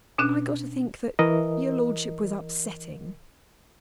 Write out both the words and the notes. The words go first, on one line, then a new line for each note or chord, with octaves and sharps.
I got to think that your Lordship was upsetting.
B2 C#4 D4 F#6
E3 A#4 D#5